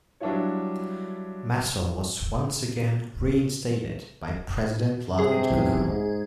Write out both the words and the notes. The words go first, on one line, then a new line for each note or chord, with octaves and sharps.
Masol was once again reinstated by President Leonid Kuchma.
F#3 G3 D4 E4 F4 C#5
C3 G#4
B1 E2
G#2